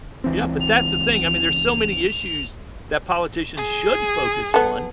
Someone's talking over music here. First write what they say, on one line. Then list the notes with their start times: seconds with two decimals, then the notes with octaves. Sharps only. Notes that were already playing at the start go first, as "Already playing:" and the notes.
Yeah, but that's the thing, I mean, there's so many issues that politicians should focus on,
0.24 C#2 E3 C4
0.61 F7
3.57 G#4
4.54 B3 A4